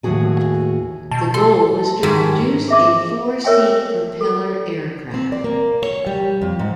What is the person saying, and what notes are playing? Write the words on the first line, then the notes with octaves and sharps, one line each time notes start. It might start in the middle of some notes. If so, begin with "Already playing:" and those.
The goal was to produce a four-seat propeller aircraft.
D#2 A2 C3 F#4 G#4 G#5
B2 A5
A4 C6
G#2 D#3
G#4 E5 D6
A#4 C#5 E5 G5 G#5
A4
C4
D5
A#3
C#5
G3
F2
G#2